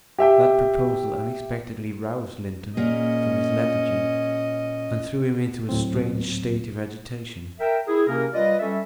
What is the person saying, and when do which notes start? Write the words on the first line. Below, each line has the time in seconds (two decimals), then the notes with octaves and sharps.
That proposal, unexpectedly, roused Linton from his lethargy, and threw him into a strange state of agitation.
0.18 G4 E5 G5
2.77 A#2 A#3 C#4 G#4 D#5
5.69 D2 A2 F#3 C4
7.60 A#4 E5 G5
7.88 E4 G#4
8.07 C3 A#3 C#4 A#4
8.34 G3 F4 B4 D5 D#5
8.60 G3 C#4 A4 E5